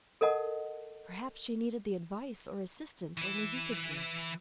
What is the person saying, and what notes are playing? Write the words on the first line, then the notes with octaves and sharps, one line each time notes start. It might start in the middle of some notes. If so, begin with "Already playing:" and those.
Perhaps she needed the advice or assistance only he could give.
A4 A#4 D#5 F#5 A5
E3 E4